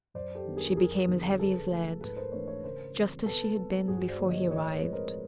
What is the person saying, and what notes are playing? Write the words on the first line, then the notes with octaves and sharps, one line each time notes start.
She became as heavy as lead--just as she had been before he arrived.
F#2 C5 D5
G4 A4
D#3 G3 B3 D4
G#4 A#4
F2 G#4 A#4
D3 F#3 B3 D4
C#3 A4 B4
F3 A3
G#2 A4 B4
A#4 C5
E3 A3 D4 B4 C#5
B4 C#5
C#3 A#4 C5
E3 G3 C4
B2 A4 B4
G#3 C4
G2 F#4 G#4
C5 D5
D3 F3 A#3
C#5 D#5
A2 C#5 D#5
B4 C#5
F3 G#3 C4
A#4 C5